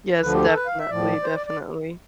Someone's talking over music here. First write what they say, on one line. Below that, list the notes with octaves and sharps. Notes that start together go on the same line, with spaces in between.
Yes, definitely, definitely.
D2 D3 F3 B4
G4
A4
B4
F5
E5
A2 F3 D5
C5
D5
D5